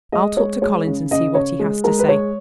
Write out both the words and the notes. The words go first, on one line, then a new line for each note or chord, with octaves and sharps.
I'll talk to Collins and see what he has to say.
G#3 D#5
G#3 C#5
G#3 C#5
C#3
C#3 D#5
C#3 C#5
G#3
G#3 A#4
B4
G#3 C#5